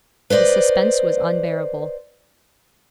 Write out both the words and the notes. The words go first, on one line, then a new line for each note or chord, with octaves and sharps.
The suspense was unbearable.
B4 C5 D5 D#5